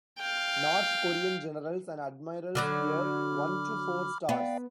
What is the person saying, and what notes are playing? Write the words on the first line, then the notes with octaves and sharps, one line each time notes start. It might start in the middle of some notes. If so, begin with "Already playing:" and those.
North Korean generals and admirals wear one to four stars.
F5 G5
D3 F#3 D4 B5 D6 F6
B3 D5 F5 G5